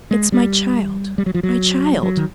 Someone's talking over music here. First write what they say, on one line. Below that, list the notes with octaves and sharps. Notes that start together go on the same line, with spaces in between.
"It's my child, my child!"
G#3
G3
G3
F#3
F3
F#3
F#3
D#3